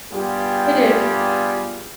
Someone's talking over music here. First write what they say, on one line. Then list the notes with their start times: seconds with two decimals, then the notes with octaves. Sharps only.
It is.
0.12 G2 G3 B3 F4 G4 G#4